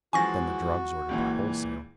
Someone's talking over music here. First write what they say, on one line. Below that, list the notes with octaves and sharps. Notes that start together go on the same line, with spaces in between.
Then the drugs ordered by wholesale.
E3 F3 G#3 F#4 G#5 C#6 A#6
C#2 A#2 E3